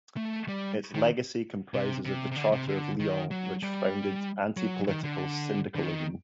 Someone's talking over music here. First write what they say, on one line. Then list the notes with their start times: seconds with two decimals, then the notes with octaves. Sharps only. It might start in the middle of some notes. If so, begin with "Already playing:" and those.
Its legacy comprises the charter of Lyons, which founded anti-political syndicalism.
0.17 A3
0.49 G3
0.95 D#3
1.74 C3
2.06 C3
2.32 C3
2.36 D3
2.53 C3
2.68 D3
3.00 D#3
3.31 F#3
3.63 G3
4.57 F#3
4.88 D#3
5.04 D3
5.76 D3
5.83 D#3